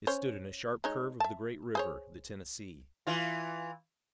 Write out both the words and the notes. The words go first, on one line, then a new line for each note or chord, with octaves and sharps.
It stood in a sharp curve of the great river, the Tennessee.
C#4 C5 C#5
G#3 D#4 C#5
E5 A5
G#4 C5 C#5
E3 F4